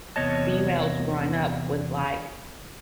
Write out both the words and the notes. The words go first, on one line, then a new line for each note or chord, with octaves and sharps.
females growing up with, like,
E2 C3 B3 C#5 D#5 A5